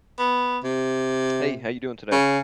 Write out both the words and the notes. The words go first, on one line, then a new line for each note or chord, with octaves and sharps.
Hey, how you doing today?
B3
C3
C#3